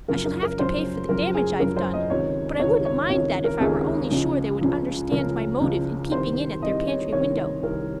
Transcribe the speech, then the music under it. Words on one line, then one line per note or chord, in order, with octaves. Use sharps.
I shall have to pay for the damage I've done, but I wouldn't mind that if I were only sure they would understand my motive in peeping in at their pantry window.
F#2 C#3 F3 A#4
A#4
A#4
F#2 C#3 F3 C5
F#2 C#3 F3 A#4
G#4
F#2 C#3 F3 A#4
C5
D#5
C#2 C3 D#3 C#5
C#2 C3 D#3 C#5
C#5
C#2 C3 D#3 C#5
A#4
C#2 C3 D#3 G#4
C#2 C#3 F3
C#2 C#3 F3
C#2 C#3 F3 A#4
C#2 C#3 F3
C2 C3 D#3 C5
C2 C3 D#3 D#5
C#5
C2 C3 D#3 C#5
C2 C3 D#3 A#4